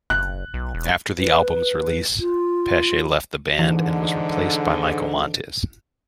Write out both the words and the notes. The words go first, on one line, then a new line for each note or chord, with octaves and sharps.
After the album's release Pesce left the band and was replaced by Michael Montes.
F#1 F#6
B1
E1
B4
F4
G#2 D3 E3